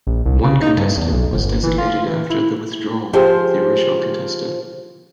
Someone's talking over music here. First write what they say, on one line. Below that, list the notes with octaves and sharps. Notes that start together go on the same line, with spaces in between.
One contestant was designated after the withdrawal of the original contestant.
A#1
C2
C#3
D#4
G2
E2
B1
G1
E3
F4
E3
E4
F3 G4 G#4 C5